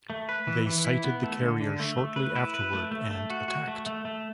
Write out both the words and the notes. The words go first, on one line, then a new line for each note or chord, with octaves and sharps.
They sighted the carrier shortly afterward and attacked.
A3
B4
E3
E3
E4
B3
A3
D3
D3
A3
A3
B4
E4
B4
A3
A3
A3
F#4
F#4
A3
A3
A3